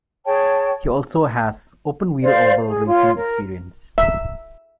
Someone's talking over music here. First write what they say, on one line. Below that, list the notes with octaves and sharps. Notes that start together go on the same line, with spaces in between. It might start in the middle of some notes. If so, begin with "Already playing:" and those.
He also has open-wheel oval racing experience.
G#4 C#5 G5 A5
C5 D5 F5
G#4
F4 C#5 C6
A#4
E5